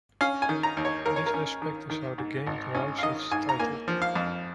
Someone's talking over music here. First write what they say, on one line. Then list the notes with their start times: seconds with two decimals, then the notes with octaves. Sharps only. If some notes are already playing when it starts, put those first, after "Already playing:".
This aspect is how the game derives its title.
0.21 C#4 F5
0.42 G#5
0.49 D#3
0.63 A#5
0.77 D#2
0.85 C#5
1.06 D#2 A#4
1.16 C#5
1.26 A#4
1.34 C#4
1.62 D#3
1.90 D#3
2.18 G#2
2.47 G#1
2.75 G#1 C#4
2.98 F5
3.03 D#3 D#5
3.32 G#2 G#5
3.49 A#5
3.60 A#3 G#5
3.88 F3
4.02 F5
4.15 F2